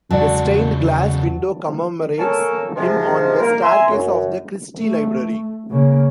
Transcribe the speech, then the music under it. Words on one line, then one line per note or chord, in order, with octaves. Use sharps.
A stained glass window commemorates him on the staircase of the Christie Library.
E2 C#3 F#3 G#3 A4 D5 A5
A#3 C#4 A4 A#4
G#2 C3 F3
A#3 A#4
E5 G#5 A#5 C6
F#2
A3
C#3 A#3